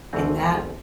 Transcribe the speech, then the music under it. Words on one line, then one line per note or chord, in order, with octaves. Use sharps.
And that
G#1 D2 G#2 B2 E3 C4